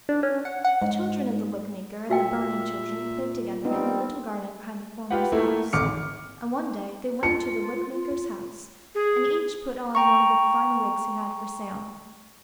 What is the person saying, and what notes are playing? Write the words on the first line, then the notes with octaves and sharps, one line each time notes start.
The children of the wig-maker and the Burney children played together in a little garden behind the former's house, and one day they went into the wig-maker's house, and each put on one of the fine wigs he had for sale.
D4
C#4
F#5
F#5
G#2
A#2 F#4 E5 F5 G5
G3 B3 C4 D#4
F4 G4 B4 F#5
A3 A#3 E4
D1 G#1 D6 F6 C#7
F4 C#7
G#4
G5 A#5 C#6